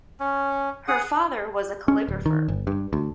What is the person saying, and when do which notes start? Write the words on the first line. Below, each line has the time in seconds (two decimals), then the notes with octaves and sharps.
Her father was a calligrapher.
0.20 C#4
0.88 G#4 F#5 D#6
1.88 C#4
2.08 D1
2.26 D#3
2.48 G1
2.67 G2
2.93 D2